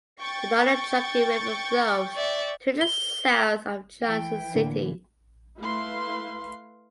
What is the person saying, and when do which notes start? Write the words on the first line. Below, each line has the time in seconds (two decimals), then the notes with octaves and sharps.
The Nolichucky River flows to the south of Johnson City.
0.19 G5 C#6 A6
2.15 D5 E5
2.81 G7
4.01 E3 G5
4.55 A2 D3 A#3
5.60 A3 E4 B4 F5 C6